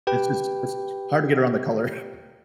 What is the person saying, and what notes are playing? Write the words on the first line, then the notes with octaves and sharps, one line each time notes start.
It's just it's hard to get around the color.
G4 B4 G5